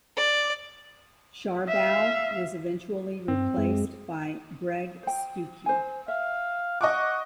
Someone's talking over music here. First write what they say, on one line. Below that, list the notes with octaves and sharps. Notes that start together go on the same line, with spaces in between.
Sharbough was eventually replaced by Greg Stukey.
D5
E5 F5
G2 C4
F#2 G#3
C5 G5
C5 G#5
E5 F5
D#5 F#5 C#6 D6